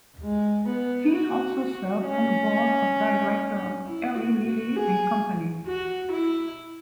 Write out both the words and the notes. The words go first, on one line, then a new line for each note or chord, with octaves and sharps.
He also serves on the board of directors of Eli Lilly and Company.
G#3
B3
F#4
F#4
C#4
E4
F#4
F#4
G#4
F#4
E4